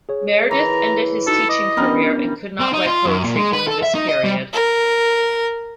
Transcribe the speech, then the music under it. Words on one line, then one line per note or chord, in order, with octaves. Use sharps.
Meredith ended his teaching career and could not write poetry during this period.
G#4 C#5
E3 A#5
D#4 F#4 A4 B4
D#5 D6
G3 B3 C#4 D4 A#4
C4
D#4
F4
F#2
A#2
G#3
B4
A4
E5
D#4
D#5
G3
A#4